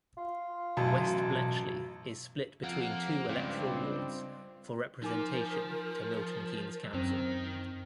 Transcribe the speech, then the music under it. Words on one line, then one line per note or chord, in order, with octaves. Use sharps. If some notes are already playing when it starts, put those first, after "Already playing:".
West Bletchley is split between two electoral wards for representation to Milton Keynes Council.
F4
A1 F#2 B2 A5
F2 F3 A#3 F#5
C#2 G2 C4 D5
F3 D#4 A#4 G#5 D6
F#2 D#3 C4